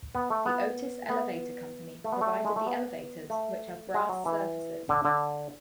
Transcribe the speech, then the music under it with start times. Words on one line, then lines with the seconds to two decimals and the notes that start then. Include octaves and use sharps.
The Otis Elevator Company provided the elevators, which have brass surfaces.
0.15 B3
0.30 A3
0.46 B3
1.09 B3
2.04 A3
2.12 B3
2.21 A3
2.45 G#3
2.56 A3
2.67 B3
3.30 A3
3.94 G#3
4.09 F#3
4.25 E3
4.89 D3
5.05 D3